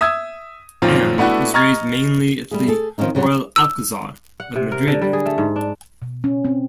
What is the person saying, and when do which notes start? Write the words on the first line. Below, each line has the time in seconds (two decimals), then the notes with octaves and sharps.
Anne was raised mainly at the Royal Alcazar of Madrid.
0.01 E5 D#6 E6 G#6
0.82 F#2 A#2 D#3 F3 C4 F4
1.18 A3 B3 D4 E4 F#4
1.54 D#5 A#5 C#6 F6 G#6 A6
2.51 G3 A3 G#4
2.68 G#4 A4
2.98 D#3 F3 C4 C#4 D#4
3.15 F2 C#3 F#3 G3
3.56 E6
4.40 F#5
4.56 C3
4.72 A#4
4.88 D3
5.02 G3
5.13 G#4
5.26 A3
5.38 G#2
5.56 D4
6.02 B2
6.24 C#4
6.45 C4